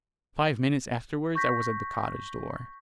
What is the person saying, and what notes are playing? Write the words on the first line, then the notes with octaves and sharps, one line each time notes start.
Five minutes afterwards I was at the cottage door.
C#6 G6 A#6 B6